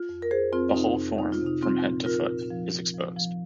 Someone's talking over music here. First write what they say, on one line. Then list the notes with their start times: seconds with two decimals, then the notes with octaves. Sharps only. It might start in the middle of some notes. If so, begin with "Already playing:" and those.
The whole form, from head to foot, is exposed.
Already playing: F4
0.09 F2
0.22 A#4
0.31 F2 G#4 C5
0.53 F2 C4 F4
0.69 C4
0.74 C3 D#4
0.96 F2
1.18 F2 D#4
1.32 F4
1.41 C3
1.46 D#4
1.62 F3 C4 F4
1.85 A#2
2.06 A#2 F4 A#4
2.28 A#2
2.51 F3
2.72 F3
2.94 F3
3.16 F3